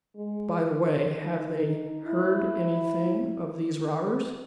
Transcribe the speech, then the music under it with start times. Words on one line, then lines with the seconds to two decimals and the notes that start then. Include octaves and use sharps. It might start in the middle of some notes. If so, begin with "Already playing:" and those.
"By the way, have they heard anything of those robbers?"
0.16 G#3
1.29 D#4
1.67 D#4
2.06 E4